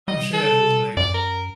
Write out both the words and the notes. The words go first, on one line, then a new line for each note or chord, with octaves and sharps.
I'm sure that feels nice.
G3 D#5
A4
F#2 D5
A#4